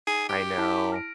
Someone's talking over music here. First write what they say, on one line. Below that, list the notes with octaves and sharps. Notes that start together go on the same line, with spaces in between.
I know.
D#4 G#4
G4
E4 A5 B6
F6 A#6 D7